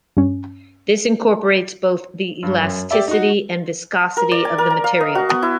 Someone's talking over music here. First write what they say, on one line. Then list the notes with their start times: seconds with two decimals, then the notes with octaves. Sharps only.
This incorporates both the elasticity and viscosity of the material.
0.17 G2 C#4
2.43 G2
2.61 F#2
2.91 G4 D5 E5
3.08 D#4 F#4
4.17 A#4
4.31 D5
4.45 G#5
4.58 A#4
4.70 A#5
4.84 F5
5.01 D#5
5.15 F#4
5.29 B3
5.42 E4